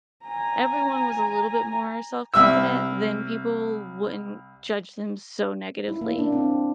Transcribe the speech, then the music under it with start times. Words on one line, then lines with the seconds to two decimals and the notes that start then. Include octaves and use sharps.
everyone was a little bit more self-confident, then people wouldn't judge them so negatively
0.24 G#5 A#5
2.34 C2 E5 E6
5.88 E4
6.01 A#3
6.18 D4
6.32 C4